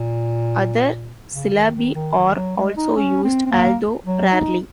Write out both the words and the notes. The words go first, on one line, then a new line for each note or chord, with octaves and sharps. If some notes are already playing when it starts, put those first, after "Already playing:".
Other syllabi are also used, although rarely.
Already playing: A#2
C#3
D#3
D#3
D#3
D#3
F#3
G#3
D#4
C#4
C4
C4
A#3
F#3
D#4